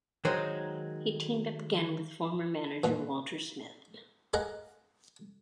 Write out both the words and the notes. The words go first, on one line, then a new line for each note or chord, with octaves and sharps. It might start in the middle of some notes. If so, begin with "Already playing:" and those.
He teamed up again with former manager Walter Smith.
D#3 F#3 G#3 C5
A#2 E3
G#4 A#4 D#5 F5 F#5 A#5